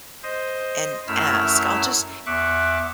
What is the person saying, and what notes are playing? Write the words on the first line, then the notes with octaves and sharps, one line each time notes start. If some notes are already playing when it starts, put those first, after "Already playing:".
and ask, I'll just
C5 D#5
F#2 A3 E4 E6 F6
E2 E5 C#6 D6 F#6